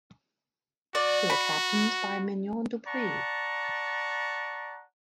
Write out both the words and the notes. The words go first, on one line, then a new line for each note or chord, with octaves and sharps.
They were captained by Mignon du Preez.
F#4 D5
B5
D5 F#5 A5 A#5 C#6